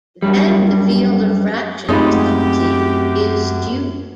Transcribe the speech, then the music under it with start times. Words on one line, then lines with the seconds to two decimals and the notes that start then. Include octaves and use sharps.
Then the field of fractions of Z is Q.
0.22 F#2 G3
1.89 F#2 G#3 A3 C4 D#4 F4 G4 B5